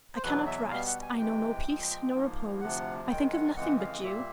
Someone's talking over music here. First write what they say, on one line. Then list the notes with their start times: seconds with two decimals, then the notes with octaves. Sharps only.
I cannot rest; I know no peace, no repose; I think of nothing but you!
0.16 C5
0.23 E2 B2 F#3 B4
0.47 E5
0.71 B2 G3 B3 F5
0.87 F#5
1.02 G#5
1.18 C3 E3 G#3 G5
1.65 A#2 F3 G#3
2.13 G#2 F3 A#3
2.61 D2 C3 F3 F#5
3.08 F#2 D#3 G#3 G5
3.33 F#5
3.55 F2 C#3 E3 G#3 F#5
3.80 F5
4.04 A#2 G3 A#3 E5